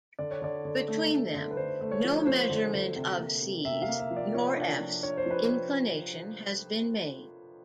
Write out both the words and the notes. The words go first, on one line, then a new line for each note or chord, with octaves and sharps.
Between them, no measurement of c's nor f's inclination has been made.
D3 D5
C#5
D3 D5
D3
A3
A3
D3
B4
D3 C5
A3
C#5
F3
F3 C5
D3
D3
C3
A#3
C3
C3 E5
F5
A#3
E5
F3
D5
F3 C#5
D4
F3
D4 C#5
C5
F3 B4